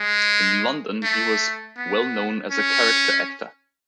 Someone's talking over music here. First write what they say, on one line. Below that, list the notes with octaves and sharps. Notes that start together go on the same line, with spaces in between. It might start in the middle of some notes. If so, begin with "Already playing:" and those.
In London, he was well known as a character actor.
Already playing: G#3
A3
B3
C#4